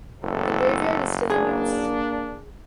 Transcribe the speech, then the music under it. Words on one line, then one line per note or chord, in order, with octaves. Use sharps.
The graveyard is still in use.
F#1 E2 A2 A4
A#3 D4 G#4